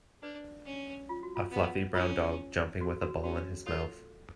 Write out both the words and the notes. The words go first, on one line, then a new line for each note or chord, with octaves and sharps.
A fluffy brown dog jumping with a ball in his mouth.
D4 B4 D5
C#4
F4
F#4
F4
B3
C#4 F4
F#4
F#4
C#4 F#4
F4 A4 C#5